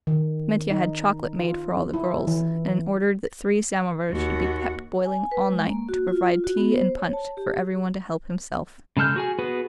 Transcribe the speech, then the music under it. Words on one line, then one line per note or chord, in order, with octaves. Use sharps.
Mitya had chocolate made for all the girls, and ordered that three samovars should be kept boiling all night to provide tea and punch for everyone to help himself.
D#3
D#4
F4
E4
E3
D#2 F#4
G#5
B4
G#3
A#3
F#4
F4
F#4
B3
C5
C#5
A5
G4
C#3 G#3 A4 F6 G6
F#4 G#4 G#5
B3 F#4 G#4 B4